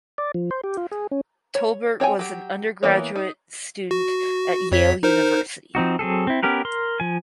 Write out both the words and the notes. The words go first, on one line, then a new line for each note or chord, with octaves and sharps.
Tolbert was an undergraduate student at Yale University.
D5
F3
C5
G4
F4
G#4
C#4
C#5
C4 C#5 G5 G#5
F#3 G4
E3 A#3 B3 C#5
D#4
F#4
F2 C#5 B6
D#4 A#4 C5
F3 C4 D#4 F#4
F#3 C4 G#4 A4
C4 E4
B3 C#4 G4 A#4 B4
A#4 C6
F3 G#5